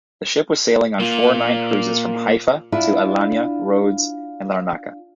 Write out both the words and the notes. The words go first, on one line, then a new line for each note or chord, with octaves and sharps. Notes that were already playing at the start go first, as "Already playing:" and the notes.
The ship was sailing on four-night cruises from Haifa to Alanya, Rhodes and Larnaca.
A#3 F4
D4 E4 F4 E5